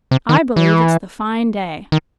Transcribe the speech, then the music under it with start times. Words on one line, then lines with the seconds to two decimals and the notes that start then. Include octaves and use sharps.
I believe it's the fine day.'
0.11 C3
0.29 D#3
0.56 E3
1.92 D#3